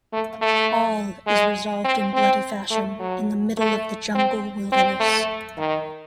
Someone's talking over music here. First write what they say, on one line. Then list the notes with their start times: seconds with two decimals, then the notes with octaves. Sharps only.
All is resolved in bloody fashion in the middle of the jungle wilderness.
0.13 A3
0.42 A3
1.27 G#3
1.85 C4
2.14 C4
2.71 A3
3.00 F#3
3.57 A3
4.15 C4
4.72 C4
5.00 A3
5.58 D#3